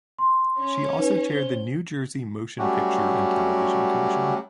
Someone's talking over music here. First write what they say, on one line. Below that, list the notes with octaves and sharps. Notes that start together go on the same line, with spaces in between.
She also chaired the New Jersey Motion Picture and Television Commission.
C6
C#4 C#5
D#4 B4
C5 G7
F#3 G3 A3 C#4 F#4 G4